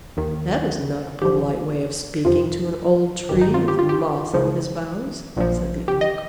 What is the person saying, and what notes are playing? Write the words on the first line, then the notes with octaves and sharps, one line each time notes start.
"That is not a polite way of speaking to an old Tree with moss on his boughs," said the Oak.
D#2 D#3
G#1 G#2 F3 G4
F2 C3 F3 F4
G1 G2 D#3 G4
D#4
F4
G4
F4
G4
C#2 C#3 F3
A#1 A#2 F3
G4
D#5